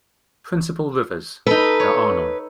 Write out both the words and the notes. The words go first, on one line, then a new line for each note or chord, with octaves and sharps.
Principal rivers—there are none.
D#4 A4 B4
C#5